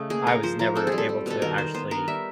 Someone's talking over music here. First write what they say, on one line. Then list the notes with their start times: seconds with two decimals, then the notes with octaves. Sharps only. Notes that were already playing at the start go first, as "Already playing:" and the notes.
I was never able to actually
Already playing: C#3 A3 D#5
0.10 A#3 G#4
0.26 A#3 A#4
0.43 F3 C5
0.59 F3 A#4
0.75 C4 A4
0.87 G3 G#4
0.98 A4
1.09 G3
1.26 B2 A4
1.42 D#3 A#4
1.58 D#3 C5
1.75 B3 C5
1.91 B3 A#4
2.08 G3 E5